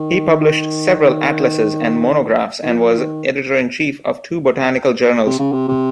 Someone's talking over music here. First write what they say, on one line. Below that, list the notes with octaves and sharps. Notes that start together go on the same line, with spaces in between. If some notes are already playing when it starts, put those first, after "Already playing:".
He published several atlases and monographs and was editor-in-chief of two botanical journals.
Already playing: D#3
D#3
F3
D#3
C3
C#3
C3
C3